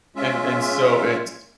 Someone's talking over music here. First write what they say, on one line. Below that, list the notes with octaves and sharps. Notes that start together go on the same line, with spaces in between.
and and so it's
G#3 C#4 F4 E5